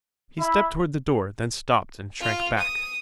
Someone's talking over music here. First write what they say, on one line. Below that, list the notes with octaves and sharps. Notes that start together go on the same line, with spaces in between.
He stepped toward the door; then stopped and shrank back.
E4
F4
D#6